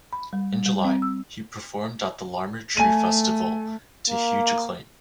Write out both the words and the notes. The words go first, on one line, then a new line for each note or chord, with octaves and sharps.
In July he performed at the Larmer Tree Festival to huge acclaim.
B5
G3
G3
G3
C4
E6
A3 G#5 D#7
A#3